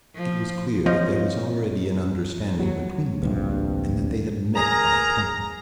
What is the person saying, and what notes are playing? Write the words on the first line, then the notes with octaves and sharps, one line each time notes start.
It was clear that there was already an understanding between them and that they had met by appointment.
F3
F3 C4 F4 C#5 D#5
F#3
D1 A#1 G2 C3
G#4 A#4 A#5